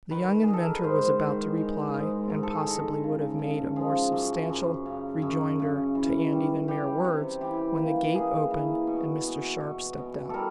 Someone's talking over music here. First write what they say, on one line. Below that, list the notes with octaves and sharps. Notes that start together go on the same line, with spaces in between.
The young inventor was about to reply, and, possibly would have made a more substantial rejoinder to Andy than mere words, when the gate opened, and Mr. Sharp stepped out.
D#3 B4
D#3 G#4
A4
A#4
B4
G#2 C5
D#3
G#3
G#2
G#2 A#4
A4
G#4
D#3 A4
C#3
C#3
F3 G#4
F#2
F#2
C#3
F#2
C#3
E3
G3
G3 G4
C3
E3 G4
A#3
A#3 G#4
E3
B2
B2
B2
B2
G3 A4 A#4